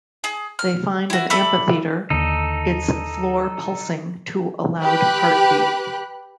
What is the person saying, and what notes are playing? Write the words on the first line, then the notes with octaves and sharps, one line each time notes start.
They find an amphitheatre, its floor pulsing to a loud heartbeat.
G#4
F6
E4 F#4
A4 E5 B5 D6
D#2 D3 D#4 A4
G4 B4 B5 F#6